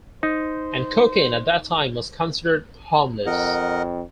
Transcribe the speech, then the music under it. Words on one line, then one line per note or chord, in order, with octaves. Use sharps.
And cocaine at that time was considered harmless.
D#4 C5
F2 A#4 D#5 F#5